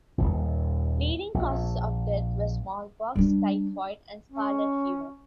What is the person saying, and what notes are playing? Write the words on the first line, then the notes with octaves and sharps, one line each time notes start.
Leading causes of death were smallpox, typhoid, and scarlet fever.
D#1 G#1 D#2
A#1
G3 D4
C#4